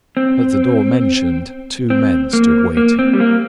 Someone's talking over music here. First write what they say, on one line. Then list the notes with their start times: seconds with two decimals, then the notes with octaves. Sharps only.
At the door mentioned two men stood waiting.
0.17 C4
1.90 C4
2.33 A#3
2.77 A#3
2.99 C4
3.13 G3
3.20 A#3